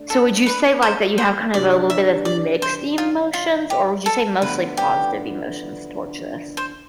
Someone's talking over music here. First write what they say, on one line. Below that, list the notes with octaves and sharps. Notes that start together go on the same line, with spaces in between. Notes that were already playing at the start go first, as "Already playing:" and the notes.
So, would you say, like, that you have kind of a little bit of mixed emotions, or would you say mostly positive emotions towards this?
Already playing: A3 D4
A4
B4
C5
C5
C3 E3 G3 D4 D5
E5
D5
C5
F4
F4
G4
A4
D2 D3 F3 B3 E4 B4
G4
C5